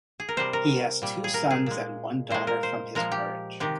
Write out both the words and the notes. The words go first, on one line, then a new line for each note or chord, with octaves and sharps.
He has two sons and one daughter from this marriage.
G#4
A#4
C3 G3 C5
A#4
A#2 G3
G#4
A#4
G#4
A#2 G#3
A#2 G#3 C5
A#4
C5
A#2 F3 G#3 A#4
G4
C3 D#3 G#3 G4